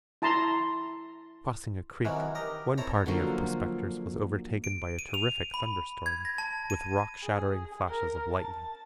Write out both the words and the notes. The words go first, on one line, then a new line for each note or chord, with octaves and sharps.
Crossing a creek one party of prospectors was overtaken by a terrific thunderstorm, with rock-shattering flashes of lightning.
E4 A5 A#5 C6
C3 D#3 E3 F#3 C#4
G4 A#4 D#5
C4 E4 A4 C#5 G5 A#5
D3 F3 F#3 A#3
D7
D#7
F7
B5
G#6
A#6
A5
D#7
G#4
A#4
A5